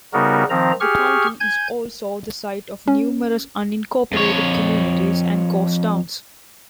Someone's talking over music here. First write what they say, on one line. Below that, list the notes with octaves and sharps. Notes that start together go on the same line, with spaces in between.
The county is also the site of numerous unincorporated communities and ghost towns.
C#3 G3 B3 D#4 F#4 A#4
D#3 F3 C4 A#5
G4 G#4 C#6 F6
G#5 G6 G#6
C#4
F2 C#5